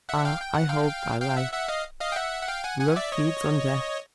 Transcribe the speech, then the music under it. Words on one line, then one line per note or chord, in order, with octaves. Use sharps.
I hold thy life! Love feeds on death.
E5 F#5
F5 G5
G5
F#5
F5 G5
F5 G5
E5 F#5
E5 F#5
D#5 F5
D#5 F5
G5
E5 F#5
F#5
F5 G5
F#5 G#5
F#5 G#5
D5 E5
C#5 D#5